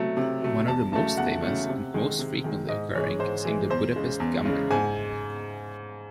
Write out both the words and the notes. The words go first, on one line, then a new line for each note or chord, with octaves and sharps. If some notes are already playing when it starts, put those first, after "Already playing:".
One of the most famous, and most frequently occurring, is in the Budapest Gambit.
Already playing: C3 F#3 A3
C3
F#3 A3
E2 A5
C#3 F#3 A3 A5
E2 F#5
C#3 F#3 A3
C3
D#3 G#3
C3
D#3 G#3
G#2 D#5
E3 G#3 C#5
G#2 C5
E3 G#3
E2 C5
C#3 G#3
E2
C#3 G#3
G#2 G#5